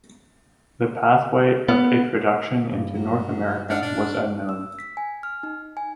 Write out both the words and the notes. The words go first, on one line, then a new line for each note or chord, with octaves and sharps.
The pathway of introduction into North America was unknown.
B3
G2
F#3
D4 F6 C#7
D4
E6
B6
G#5
F6
D#4
G#5